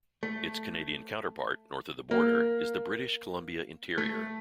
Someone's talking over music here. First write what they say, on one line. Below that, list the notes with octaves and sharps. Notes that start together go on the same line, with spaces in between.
Its Canadian counterpart, north of the border, is the British Columbia Interior.
A3
A#3
A3